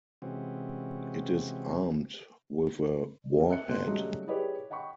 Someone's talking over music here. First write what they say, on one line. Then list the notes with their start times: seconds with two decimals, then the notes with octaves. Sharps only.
It is armed with a warhead.
0.22 C3 E3 G#3 C4 C#4 F#4
3.38 A#3 A#4 C#5
3.50 E5 F#6 C#7
3.68 G#1 D#2 A#2 C6 F#6
3.87 C#3 F#3 G3 A3 D#4
4.27 E4 G4 G#4 B4 C#5 D5
4.70 D#5 F#5 G5 B5 C#6